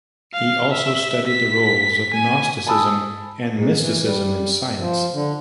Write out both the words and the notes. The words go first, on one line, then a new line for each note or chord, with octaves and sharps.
He also studied the roles of gnosticism and mysticism in science.
F5
E5
B6
G#5
G#5 A5 B5 D#6 E6
G#2
E3
G3
F3
D3